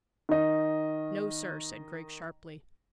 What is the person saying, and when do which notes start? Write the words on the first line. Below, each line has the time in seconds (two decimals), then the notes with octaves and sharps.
"No, sir," said Griggs sharply.
0.29 D#3 D#5